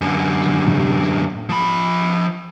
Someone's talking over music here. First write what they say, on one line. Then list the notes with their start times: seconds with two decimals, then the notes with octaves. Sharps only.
Two players retired.
0.01 F#2 D3
1.49 F3 B5